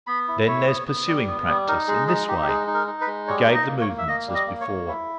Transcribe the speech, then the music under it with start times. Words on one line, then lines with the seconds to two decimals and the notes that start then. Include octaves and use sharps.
"Then there's pursuing practice, in this way." He gave the movements as before.
0.07 B3 B5
0.28 E4
0.47 E4 C#5
0.67 B3
0.87 B3
1.07 G3
1.27 B3
1.47 G3
1.68 D#4 A#4
1.88 G#3 G#4
2.07 D#4 G#4
2.27 D#4 G4
2.42 G4
2.48 G#3 G#4
2.67 D#4
2.74 A#4
2.87 D#4
3.01 B4
3.07 G#3
3.28 G3 C#5
3.48 D#4
3.54 D#5
3.67 A#3
3.81 C#5
3.88 A#3
3.98 E5
4.08 A#3 D#5
4.28 G3
4.34 D#5
4.47 A#3
4.61 C#5
4.68 A#3
4.88 E4